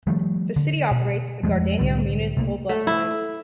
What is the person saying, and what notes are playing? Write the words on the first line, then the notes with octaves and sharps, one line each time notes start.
The city operates the Gardena Municipal Bus Lines.
D#3 F3 G3 A3
D3
B2
F2 F3 G#3 A3
C2 A2 D3 G3
C3 A3 A#3
A3
E4